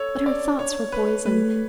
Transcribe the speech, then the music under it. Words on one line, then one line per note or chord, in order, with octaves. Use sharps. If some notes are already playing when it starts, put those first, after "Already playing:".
But her thoughts were poisoned.
Already playing: A4 C#5
D5
C#5
B4
A3 B4